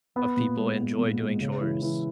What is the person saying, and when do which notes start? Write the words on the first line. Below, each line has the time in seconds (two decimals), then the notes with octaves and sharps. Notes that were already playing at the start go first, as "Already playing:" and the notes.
of people enjoy doing chores.
0.16 B3
0.37 A#2
0.57 G#3
0.78 B3
0.99 A#2
1.19 G#3
1.41 C#3
1.61 E3
1.82 E3